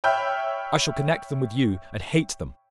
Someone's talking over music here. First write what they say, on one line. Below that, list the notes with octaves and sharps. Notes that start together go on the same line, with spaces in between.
'I shall connect them with you, and hate them.'
C#5 E5 G5 B5 F6 G6